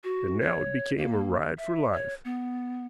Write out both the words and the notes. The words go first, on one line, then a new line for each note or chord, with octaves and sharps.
And now it became a ride for life.
F#4
C#5
A#3
E5
C#5
B3